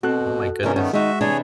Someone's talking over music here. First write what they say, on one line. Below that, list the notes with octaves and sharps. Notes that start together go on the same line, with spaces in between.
Oh my goodness.
B2 C4 F#4 A4 F#6
C3 E3 F3 C#4 D4 A#4
G2 D#3 A3 B3 C#4
D#3 G#3 D#4 F#4 E5
C3 E3 D4 G#4 C#5